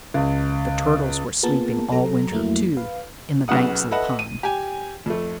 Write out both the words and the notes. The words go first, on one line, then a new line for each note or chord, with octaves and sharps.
The Turtles were sleeping all winter, too, in the banks of the pond.
C#2
A#3 B3 F4 G#4 A#4 A5
F#3 A4 A#5
F2 F#3 A3 A#3 E4
B4 F5
B1 C#3 B3 F#5 D#6
A4 B4 D#5 E5 F#5
D#7
G4 G#5
F2 A3